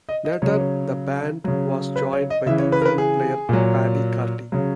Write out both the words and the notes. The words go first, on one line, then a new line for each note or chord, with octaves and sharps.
Later the band was joined by the flute player Paddy Carty.
D#5
D#5
C#3 F#3 C#5
C#3 F#3
B4
C#5
D#5
C#3 E3 E5
C#5
B4
A#4
B4
G#4
A#2 F#3
C#3 F#3